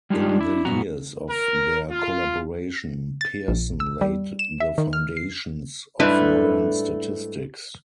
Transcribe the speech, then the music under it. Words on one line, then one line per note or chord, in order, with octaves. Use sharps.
In the years of their collaboration Pearson laid the foundations of modern statistics.
G3 G#3 D4 D#4 F4 G4
D4 E4
F#2 A#2 B3 F#4 A#5
A#4
F4
A6
A#1
E6
G3
E7
E5
D#3
F6
C7
G#2 G3 A3 D4 E4 B4